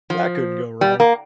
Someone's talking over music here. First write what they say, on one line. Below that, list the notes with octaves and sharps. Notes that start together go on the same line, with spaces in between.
That couldn't go wrong.
F3
G3
A#3